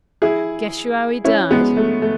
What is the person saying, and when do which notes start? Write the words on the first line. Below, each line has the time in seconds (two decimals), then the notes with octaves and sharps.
Guess yo' how he died?'
0.22 E4 G#4
1.24 C#4 E4
1.50 G#3 B3
1.77 A3
2.02 A3